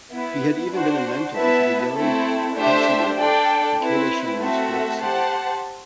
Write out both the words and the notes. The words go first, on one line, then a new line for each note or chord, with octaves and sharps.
He had even been a mentor to the young Katsuyori, Takeda Shingen's fourth son.
B3 E4 B4
D4 F#4 C5
B3 E4 B4 E5 A5
A3 C4 E4 A4
A3 D4 G4 C5 E5
D4 A4 D5 G5
C4 E4 B4
A3 C4 F#4 A4 E5
G4 C5 F#5 A5